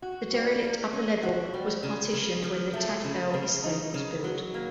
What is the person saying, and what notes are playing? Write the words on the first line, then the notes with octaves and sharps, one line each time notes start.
The derelict upper level was partitioned when the Taff Vale estate was built.
F#4
G3
A#3
C#4
F#4
G3
C#3
C#3
F3
A3
C#3
C#3
D#4
C#3
F#3
A#3